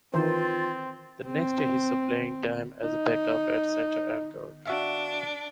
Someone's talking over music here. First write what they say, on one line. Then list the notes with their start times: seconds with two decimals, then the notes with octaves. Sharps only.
The next year, he saw playing time as a backup at center and guard.
0.14 D#3 E3 C4 F4 C5
1.27 C4
2.83 D#4
4.66 D4 F#4 E5 F5